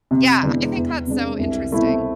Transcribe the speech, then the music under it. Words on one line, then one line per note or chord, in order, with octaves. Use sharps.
yeah, I think that's so interesting.
C3
E3 G#3 B3 D4
E2
C3 G#3 D4
C2
B2 A3 C4 E4